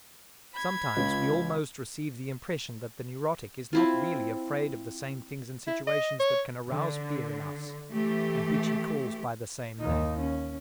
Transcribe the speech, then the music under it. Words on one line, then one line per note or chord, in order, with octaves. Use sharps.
Sometimes we almost receive the impression that the neurotic is not really afraid of the same things and situations that can arouse fear in us, and which he calls by the same name.
B5 G#6
C#2 C#4 F4
C4 E4 F4
E4
D#5
C#5
D3
E3 A3 G4
D#2 D#4
C#4